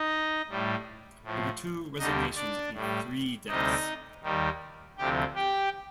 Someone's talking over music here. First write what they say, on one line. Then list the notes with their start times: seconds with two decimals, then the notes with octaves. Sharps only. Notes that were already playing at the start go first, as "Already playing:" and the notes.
There were two resignations and three deaths.
Already playing: D#4 D#5
0.49 A2 G3
1.24 A2 F3
1.99 D#2 D3 G3 D#4 D#5
2.36 D4 D5
2.74 A2 G3
3.49 D2 C3 G3 D#4 D#5
4.23 D#2 D#3 G3
4.98 D2 C3 F3 G4 G5
5.35 G4 G5